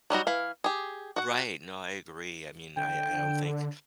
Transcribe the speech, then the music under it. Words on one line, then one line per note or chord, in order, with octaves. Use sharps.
Right, no, I agree, I mean, I I don't think,
F#3 G3 D#4 F#4
E3 E4 F5
G4 G#4
F#4 F#5
D3 G5